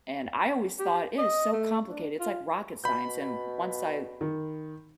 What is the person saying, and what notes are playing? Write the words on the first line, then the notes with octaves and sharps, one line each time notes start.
and I always thought, "It is so complicated, it's like rocket science," and once I
G4
D#5
A3
D4
F4
B2 B5 G6
D#3